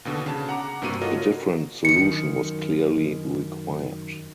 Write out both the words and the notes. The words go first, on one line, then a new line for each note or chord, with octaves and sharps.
A different solution was clearly required.
D#2 B2 D3
C#3 A5
F#5 A#5 D6
G2 C3 A#3 F#4 D#7
F4 F#4 A4 A#4 C#5 D#5
F#2 D#3 C#7